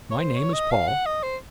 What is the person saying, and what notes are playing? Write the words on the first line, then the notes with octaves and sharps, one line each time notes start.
My name is Paul.
C#5
C5
C#5
D#5
F5
F#5
D#5
C5